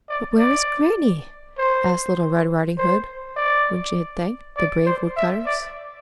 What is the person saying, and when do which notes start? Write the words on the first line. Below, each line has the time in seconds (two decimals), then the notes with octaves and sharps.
"But where is Grannie?" asked Little Red Riding-Hood, when she had thanked the brave wood-cutters.
0.09 D5
0.39 D5
1.58 C5
2.78 C5
3.36 D5
4.57 D5
4.86 C5
5.17 E5
5.46 D5